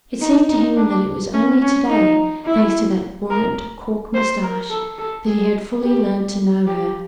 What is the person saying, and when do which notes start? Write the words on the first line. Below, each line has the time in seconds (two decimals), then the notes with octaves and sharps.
It seemed to him that it was only today, thanks to that burnt-cork mustache, that he had fully learned to know her.
0.21 D#4
0.49 D#4
0.76 D4
1.33 C#4
1.62 C#4
1.89 D#4
2.45 E4
3.30 A#4
4.14 C5
4.42 A#4
4.70 A4
4.98 A4
5.26 G#4
5.83 G4
6.67 G4